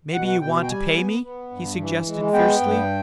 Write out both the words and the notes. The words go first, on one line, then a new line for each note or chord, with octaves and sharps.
"Maybe you want to pay me?" he suggested fiercely.
B2 F#5
F#5
B2 G5
G5
G3 G#5
B3
B3
G2
E3
G#3
B3 G5
G2